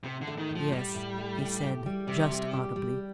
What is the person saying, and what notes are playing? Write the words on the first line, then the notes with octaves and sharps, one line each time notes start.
"Yes," he said, just audibly.
A2 C3
D3
A3
D#3
A2
F3
A2 G3
A2
A3
A2
G4
G3
C3 G4
G3
G4
G3